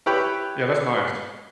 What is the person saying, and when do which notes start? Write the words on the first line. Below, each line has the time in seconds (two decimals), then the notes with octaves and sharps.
Yeah, that's nice.
0.06 E4 G4 B4 C#5 G5 B5